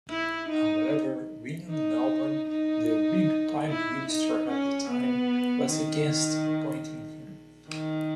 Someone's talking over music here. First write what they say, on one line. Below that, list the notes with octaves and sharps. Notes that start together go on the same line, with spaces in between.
However, William Melbourne, the Whig Prime Minister at the time was against appointing him.
E4
D#4
D#4
D#4
E4
D#4
C#4
B3
D#3
D#3